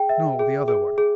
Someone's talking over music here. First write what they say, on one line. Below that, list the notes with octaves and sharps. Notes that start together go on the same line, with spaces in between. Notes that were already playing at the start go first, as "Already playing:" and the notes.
"No, the other one."
Already playing: G#4 G5
E5
G#4
G#4
G#4